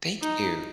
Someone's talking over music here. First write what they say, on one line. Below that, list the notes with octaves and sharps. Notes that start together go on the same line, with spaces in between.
Thank you.
D#4